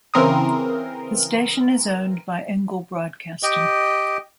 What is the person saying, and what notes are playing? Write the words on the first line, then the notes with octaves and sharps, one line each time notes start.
The station is owned by Engle Broadcasting.
C#3 E3 C4 A#4 C6 D#6
G4 D#5 G5